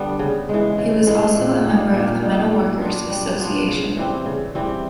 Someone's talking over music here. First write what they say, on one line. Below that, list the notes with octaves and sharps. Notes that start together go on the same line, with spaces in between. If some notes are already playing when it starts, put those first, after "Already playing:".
He was also a member of the metalworkers' association.
Already playing: D3 G3 B3
C#3
E3 G#3
C#3
E3 G#3
A#2
G3 A#3 D#4
A#2
G3 A#3 D#4
G3
B3 D4 F4
G3
B3 D4 F4
C#3
E3 G3 C4
C#3
E3 G3 C4